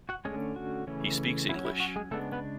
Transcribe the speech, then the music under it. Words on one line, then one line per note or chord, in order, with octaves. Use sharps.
He speaks English.
F#4 F#5
D3 G#3 A3 C#4 G#4
F#4
C#3 E3 A3 C#4
F#3 C#4 E4
E4
F#4
G#3 G#4
C#3 G#3 A3 B3 D4 A4
B3 B4